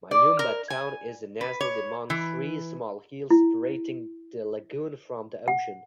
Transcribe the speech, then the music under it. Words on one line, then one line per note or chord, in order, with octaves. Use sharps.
Mayumba town is nestled among three small hills separating the lagoon from the ocean.
D5
A#4
G#5
B4
C#5
E3
E4
F#5